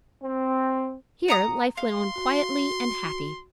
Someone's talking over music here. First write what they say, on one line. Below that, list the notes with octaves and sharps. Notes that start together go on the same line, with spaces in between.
Here life went on quietly and happy.
C4
F#5 A#5 D#6
F5 C6
F#4